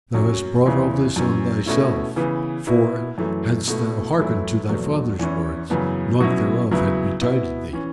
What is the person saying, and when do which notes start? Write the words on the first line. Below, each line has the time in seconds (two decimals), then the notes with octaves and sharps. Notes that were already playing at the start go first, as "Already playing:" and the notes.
Thou hast brought all this on thyself; for, hadst thou hearkened to thy father's words, naught thereof had betided thee.
0.15 F#2 F#3 C#4
0.66 E2 C#3 E3 B3 E4
1.16 F#2 E3 C#4
1.66 B2 A3 C#4 E4
2.16 C#3 E3 B3
2.67 B2 B3 E4
3.18 F#2 E3 A3
3.68 B2 A3 E4
4.19 F#2 E3 A3 E4
4.69 E2 B2 F#3 A3
5.19 E2 E3 C#4 E4
5.70 F#2 C#3 E3 B3
6.20 B2 F#3 C#4 E4
6.71 C#3 F#3 B3 E4
7.21 B2 B3 E4
7.73 E3 C#4